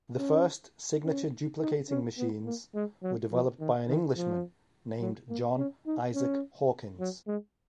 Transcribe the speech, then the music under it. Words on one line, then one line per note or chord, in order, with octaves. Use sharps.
The first signature duplicating machines were developed by an Englishman named John Isaac Hawkins.
C#4
C#4
D#4
C#4
B3
A#3
G#3
F#3
F3
D#3
D#3
F3
F#3
A#3
C#4
D#4
C#4
F#3
G#3